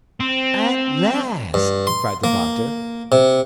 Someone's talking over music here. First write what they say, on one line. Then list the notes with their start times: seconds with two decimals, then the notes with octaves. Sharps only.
"At last!" cried the Doctor.
0.20 C4
1.54 G2
1.87 C6
2.24 A#3
3.12 C3